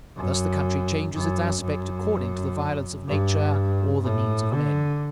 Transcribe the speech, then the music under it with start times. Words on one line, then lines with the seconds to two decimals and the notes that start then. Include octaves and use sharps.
And thus the country changes its aspect according to the violence of nature or the needs of men.
0.17 F#2
1.13 F#2
1.62 F#2
3.07 G2
4.04 A2
4.53 D3